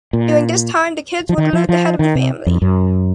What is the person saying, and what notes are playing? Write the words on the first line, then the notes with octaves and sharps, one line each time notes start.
During this time the kids would alert the head of the family.
A#2
F3
D#3
F3
F3
D#3
C3
F2
F#2